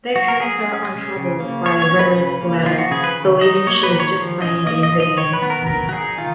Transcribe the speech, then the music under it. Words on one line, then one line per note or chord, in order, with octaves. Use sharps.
Their parents are untroubled by River's letter, believing she is just playing games again.
F#3 F#4
A#4
F#3 G#4
C#4
C#4
C#3
A#3
F#3 C#5
C#5
C#4
B4
C#3
A#3
F3 F4
F#4
C#3 G#4
B4
D#3
D#4 D#5
A#3 C#5
B4
D#3
C#5
F3
C#4 D#5
A#3 D#5
D#5
F3
D#5
D#3 C#5
B4
B3
A#4
F#3 A#4
F#4
D#4 G#4
D#3 F4